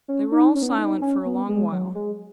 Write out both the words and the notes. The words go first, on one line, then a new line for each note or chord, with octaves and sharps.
They were all silent for a long while.
C#4
D#4
C#4
B3
C#4
D#4
C#4
B3
G#3
F#3
G#3